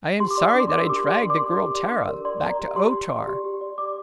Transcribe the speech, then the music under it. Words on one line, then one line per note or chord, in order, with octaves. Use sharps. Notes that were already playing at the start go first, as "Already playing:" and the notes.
I am sorry that I dragged the girl Tara back to O-Tar.
G4 C6
D6
D5 C6
D4 D6
C6
A#4 D6
C6
G4 D6
C6
D5
D4 C6
D6
A#4 C6
G4
D5
D4
A#4
D5 C6
D5
A#5
G4
G4 C6
D5
D5
G4
G4
D5
D5 D6